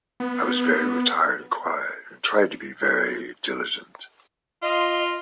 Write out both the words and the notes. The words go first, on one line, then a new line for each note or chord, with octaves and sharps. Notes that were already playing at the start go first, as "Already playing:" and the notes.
I was very retired and quiet, and tried to be very diligent.
B3
F4 D#5